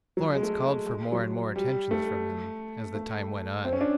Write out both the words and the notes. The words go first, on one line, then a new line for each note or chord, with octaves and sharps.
Florence called for more and more attentions from him as the time went on.
F#3
G#3
A3
G#3
F#3
G3
A3
A3
C4
C#4
D4